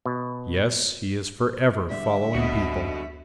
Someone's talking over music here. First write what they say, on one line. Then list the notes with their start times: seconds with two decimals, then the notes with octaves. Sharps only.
Yes, he is forever following people.
0.06 B2
1.90 D3 G3 E5
2.35 D2 B3 F#4 D#5